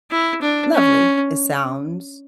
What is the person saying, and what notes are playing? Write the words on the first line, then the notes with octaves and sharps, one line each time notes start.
lovely, it sounds
E4
D4
C#4